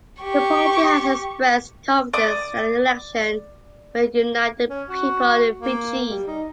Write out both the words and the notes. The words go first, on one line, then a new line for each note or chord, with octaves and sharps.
The party has expressed confidence that the election will unite the people of Fiji.
G4 C#6
D5 D6 D#6
C#4
F#4
A#3
G3
D#4